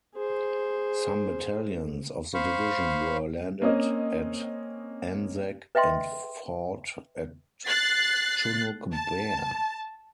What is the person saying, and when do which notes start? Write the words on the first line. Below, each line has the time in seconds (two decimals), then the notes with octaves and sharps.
Some battalions of the division were landed at Anzac and fought at Chunuk Bair.
0.15 G#4 C5
2.34 C5 F5 B5 C#6
3.62 A#3 C4 C#4 D#5
5.75 B4 D#5 E5 G5 C6
7.67 F#6 A6 C7
8.92 A5